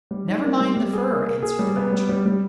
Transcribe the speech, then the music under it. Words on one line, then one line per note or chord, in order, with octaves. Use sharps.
"Never mind the fur," answered the Bachelor.
G3
D#4
A#3
G3
G3
G#4
A#3
A#3
G#4
G3
B3
G3
G3
G3